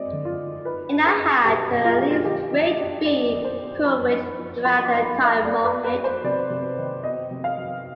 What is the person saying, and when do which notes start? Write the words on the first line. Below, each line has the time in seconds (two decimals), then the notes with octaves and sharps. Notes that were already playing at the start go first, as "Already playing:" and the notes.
It now had at least Grade B coverage throughout the entire market.
Already playing: G#3 C4 D5 D#5
0.13 D3
0.25 F4
0.40 D#4
0.65 D#4 B4
0.92 D#4
1.06 G#4
1.19 D#4
1.45 B2 G4
1.71 B2
1.85 F4
1.98 B2 G4
2.11 F4
2.25 D#3 G4
2.52 D#3
2.65 D#5
2.78 D4
3.05 D4 D5
3.32 D#3
3.45 C5
3.58 B3
3.84 F3 B5
4.11 D#4
4.38 F3
4.65 F3 C6
4.85 D6
4.91 D#4
5.04 B5
5.18 D#4
5.24 F5
5.44 B3 D5
5.64 B4
5.71 B3
5.84 B4
5.98 B3
6.04 C5
6.24 C3 D5
6.50 C3
6.78 D#3
7.03 B3 D#5
7.31 C3
7.44 F5
7.58 C3